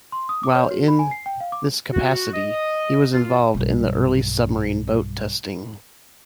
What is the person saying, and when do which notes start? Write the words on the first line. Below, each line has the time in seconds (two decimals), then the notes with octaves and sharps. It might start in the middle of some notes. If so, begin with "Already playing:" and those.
While in this capacity, he was involved in early submarine boat testing.
0.12 C6
0.29 D#6
0.43 D6
0.55 C#5
0.71 F#4
0.88 B5
0.99 G#5
1.11 C7
1.26 G5
1.40 F5
1.52 D6
1.93 F#4
2.34 D#5
3.14 F4
3.54 B1 G2